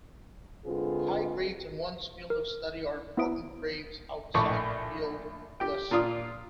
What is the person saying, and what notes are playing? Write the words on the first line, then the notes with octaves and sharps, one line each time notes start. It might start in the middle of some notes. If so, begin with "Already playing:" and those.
High grades in one's field of study are important-grades outside the field less so.
D3 G#3 C4 F4 G#4 B4
A#4
B3 E4 B4 E5 D#6 D7
A#1 A2 D5 A5 C#6 D6
G4 G5
A#2 D4 F4 F5 D#6